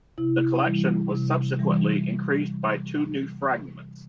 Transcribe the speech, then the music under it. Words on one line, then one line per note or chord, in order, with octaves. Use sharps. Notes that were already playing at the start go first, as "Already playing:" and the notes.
The collection was subsequently increased by two new fragments.
C3 E4
E3 G3
C3
E3 G3